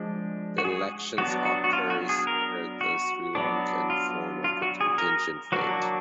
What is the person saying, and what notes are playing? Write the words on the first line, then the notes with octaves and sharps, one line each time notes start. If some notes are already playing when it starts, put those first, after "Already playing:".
The election occurs under the Sri Lankan form of the contingent vote.
Already playing: F3 G#3 D4
F#4
G#4
F#3 B3 D4 F#4
F#4
F#4
F4
F#4
G#4
A#4
F#4
F#3 B3 D4
F4
F4
F#4
G#4
A#4
F#3 A#3 D4 F#4